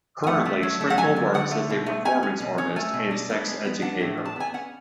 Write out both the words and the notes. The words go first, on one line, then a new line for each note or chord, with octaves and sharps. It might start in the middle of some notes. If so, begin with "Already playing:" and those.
Currently, Sprinkle works as a performance artist and sex educator.
G#5
A3 F#5
A3
F#3
A3
F#5
F#3 G#5
D3
D3 F#5
A3
B2
A3
C#4 G#5
C#4
B2
C#4
A3 G#5
B2
D4
B3
G#3
B3
D4 F#5
A2
D4
A5
B3 G#5
C#4 F#5